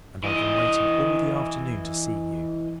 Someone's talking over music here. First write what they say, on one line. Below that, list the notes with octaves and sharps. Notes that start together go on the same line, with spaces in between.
And I've been waiting all the afternoon to see you.
E3 D#5